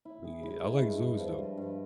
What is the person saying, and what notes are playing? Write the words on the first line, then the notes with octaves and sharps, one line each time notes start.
Yeah. I like zoos, though.
E4
G#4
E4
G#3
G2
G2
F3
G2
G2